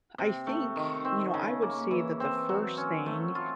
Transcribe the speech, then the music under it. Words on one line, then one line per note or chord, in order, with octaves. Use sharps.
I think you know, I would say that the first thing
C3
A3
D#3
C4
C#3
A#3
E3
C4
F#3
C#4
A3
F4